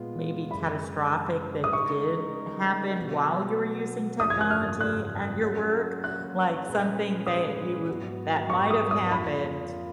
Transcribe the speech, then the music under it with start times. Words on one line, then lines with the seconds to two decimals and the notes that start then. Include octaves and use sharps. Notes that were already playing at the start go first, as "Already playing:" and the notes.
maybe catastrophic that did happen while you were using technology at your work? Like, something that you w that might have happened
Already playing: A#2 G#3 B3 F4
0.51 F#2 C#3 G#3 B5
1.64 D#6
1.73 C#3 G#3 D#4 A#4 C#6
2.96 B2 F#3 B3 F#4
4.19 F#2 C#3 F3 D#6
4.30 G#6
4.41 F#6
4.50 F6
4.81 F#6
5.42 F#3 A#3 C#4 F#4
6.04 F#6
6.65 A#2 G#3 C#4 G#4 B4
7.26 D#6
7.88 G#2 F#3 B3 F#4
8.50 C#6
8.71 D#6
8.91 D#6
9.11 F2 F3 A#3 F4 B5